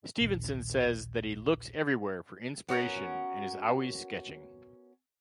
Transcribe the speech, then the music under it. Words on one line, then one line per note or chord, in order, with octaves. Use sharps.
Stephenson says that he looks everywhere for inspiration and is always sketching.
A#1 D#2
B3 C#4 F#4 A#4